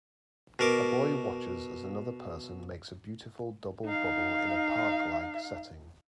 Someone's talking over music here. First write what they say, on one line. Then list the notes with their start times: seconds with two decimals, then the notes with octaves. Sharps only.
A boy watches as another person makes a beautiful double bubble in a parklike setting.
0.59 B2 A#4 D6
3.85 D#4 F5